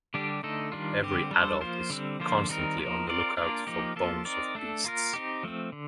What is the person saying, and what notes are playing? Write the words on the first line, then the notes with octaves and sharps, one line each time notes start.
Every adult is constantly on the lookout for bones of beasts.
D3 G3 D4 G4
D3 A3 D#4 A4
D#3 G3 D4 F4
D3 G3 C4 G4
G3 D4 A4 C5
F3 A#3 F4 C5
D3 G3 C4
D3 F3 A#3 F4 C5
D#3 G3 C4 D#4 A#4
F3 A#3 D#4 A#4
C4 F4 A#4 D5
A#3 D4 F4 A#4 D5
F3 A#3 D#4 G4
F3 A#3 F4 A4
C4 D#4 A#4 D5
A3 D4 A4
A#3 F4 A#4
C4 D#4 G4
F3 A3 C4
D3